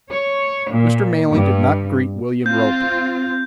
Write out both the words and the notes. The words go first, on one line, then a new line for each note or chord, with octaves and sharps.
Mr. Manley did not greet William Roper.
C#5
A#2
G2
C4 F4 G6